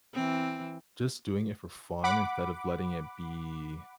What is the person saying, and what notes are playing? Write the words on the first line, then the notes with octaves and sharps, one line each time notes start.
just doing it for fun instead of letting it be,
E3 C4
F#5 B5 D6